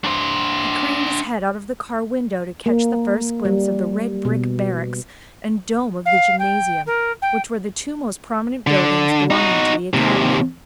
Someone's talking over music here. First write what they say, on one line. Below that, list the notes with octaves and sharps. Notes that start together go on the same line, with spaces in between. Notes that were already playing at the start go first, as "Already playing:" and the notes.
He craned his head out of the car window to catch the first glimpse of the red brick barracks and dome of the gymnasium, which were the two most prominent buildings belonging to the Academy.
D4 C5
A#3
G3
B2
F5
G5
A#4
G5
D3
D#4 F#4
D#2 C3